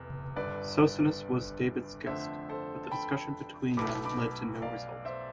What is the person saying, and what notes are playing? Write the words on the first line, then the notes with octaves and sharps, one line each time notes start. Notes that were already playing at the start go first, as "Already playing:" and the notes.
Socinus was David's guest, but the discussion between them led to no result.
Already playing: F1 E2
G1 G2 D3 B4 D5
F2 D3 A3 C5 E5
A4 C5
A5
G5 B5
B1 B2 A3 B5 D6
B5 D6
D5 F5
C5 E5